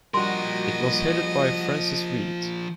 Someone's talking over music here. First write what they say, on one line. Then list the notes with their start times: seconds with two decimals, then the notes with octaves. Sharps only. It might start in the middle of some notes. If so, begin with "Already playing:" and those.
It was headed by Francis Wheat.
0.14 F3 G3 F#4 A#4 D#5 C6